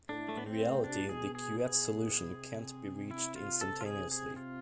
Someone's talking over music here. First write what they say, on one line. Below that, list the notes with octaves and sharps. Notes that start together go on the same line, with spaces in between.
In reality, the Couette solution can't be reached instantaneously.
A2 D4
A3
B3
C4
C3 D4
B2
A2
B2 G#4
G#4
G#4
C3
E4
F4
A4
F4
G#4
G#4
F4